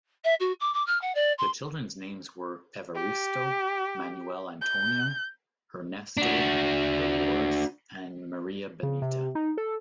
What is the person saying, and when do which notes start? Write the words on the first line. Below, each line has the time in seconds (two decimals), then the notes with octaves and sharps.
The children's names were Evaristo, Manuel Antonio, Ernesto, Dolores and Maria Benita.
0.24 E5
0.40 F#4
0.60 D6
0.73 D6
0.86 F6
1.01 F#5
1.15 D5
1.38 C6
2.95 G4
4.61 G6
6.17 D4 F#4
8.83 C#3
9.02 C3
9.35 D#4
9.58 A4